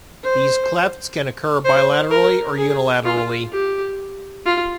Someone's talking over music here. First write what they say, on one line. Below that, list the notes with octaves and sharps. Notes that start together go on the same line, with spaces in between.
These clefts can occur bilaterally or unilaterally.
C5
C5
A#4
G#4
F4
G4
F4